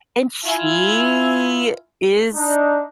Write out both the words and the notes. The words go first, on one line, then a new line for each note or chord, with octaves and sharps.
and she is
E4 F4 E5 G#5
D4 D#4